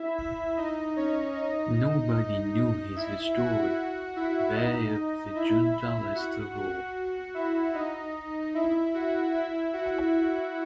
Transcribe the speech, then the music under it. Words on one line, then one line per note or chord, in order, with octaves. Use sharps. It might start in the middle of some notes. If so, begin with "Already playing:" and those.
Nobody knew his history, they of the Junta least of all.
Already playing: E4 E5
D#4 D#5
C#4 C#5
D#4 D#5
E4 E5
F#4 F#5
E4 E5
D#4 D#5
E4 E5
E4 E5
F#4 F#5
F#4 F#5
E4 E5
D#4 D#5
E4 E5
F#4 F#5
E4 E5
F#4 F#5